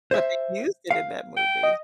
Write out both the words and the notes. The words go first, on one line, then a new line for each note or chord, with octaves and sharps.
But they used it in that movie?
C5 E5
F5
G5
D#5